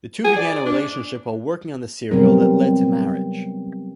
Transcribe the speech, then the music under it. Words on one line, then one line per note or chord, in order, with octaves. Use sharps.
The two began a relationship while working on the serial that led to marriage.
G#4
D5
D4
C3 F#3 G3 B3 C4 A#4